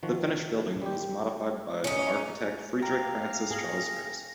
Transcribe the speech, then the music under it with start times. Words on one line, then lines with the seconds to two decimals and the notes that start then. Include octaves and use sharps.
The finished building was modified by the architect Frederick Francis Charles Curtis.
0.03 D#3 F3 F#4
0.82 G3 C4 G4
1.84 C#4 D#4
2.82 A#3 G4 A#4 F5
3.50 G#4 A#6